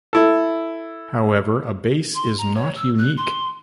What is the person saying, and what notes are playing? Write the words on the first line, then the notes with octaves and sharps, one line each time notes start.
However, a base is not unique.
E4 A4
C6
A#5
C#5
E6
F#6
C6